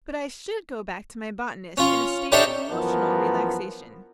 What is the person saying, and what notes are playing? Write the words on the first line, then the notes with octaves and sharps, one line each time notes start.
But I should go back to my botanist in a state of emotional relaxation.
C#4 F4
D4 D#4 G4 A4 C#5 E5
F#2 E3 F3 B3 A#4